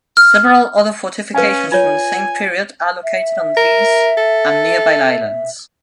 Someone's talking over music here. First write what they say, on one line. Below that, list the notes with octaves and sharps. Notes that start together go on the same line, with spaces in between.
Several other fortifications from the same period are located on this, and nearby islands.
F6
C#4 B4 F5 G#5
F4 C#5 G#5
E5
A#4
A4